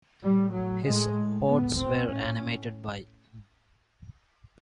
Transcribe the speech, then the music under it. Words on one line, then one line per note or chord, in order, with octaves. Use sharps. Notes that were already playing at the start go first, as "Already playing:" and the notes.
His odes were animated by...
A2 G3
F#3
A2 G#3
A2 B3
C4
A2 C#4